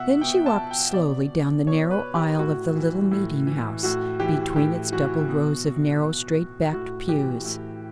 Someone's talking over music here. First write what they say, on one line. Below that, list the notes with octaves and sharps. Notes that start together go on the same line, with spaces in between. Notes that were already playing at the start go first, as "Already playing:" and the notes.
Then she walked slowly down the narrow aisle of the little meeting-house, between its double rows of narrow straight-backed pews.
Already playing: B2 E5 F#5
B2 G5
A5
G5
B2 D5
B2 C#5
B4
G4
A2 F#4
E3
A2
E3
A2 F#4
E3 G4
A2 G4
E3 F#4
B2
B2
A2 F#4
E3 G4
A2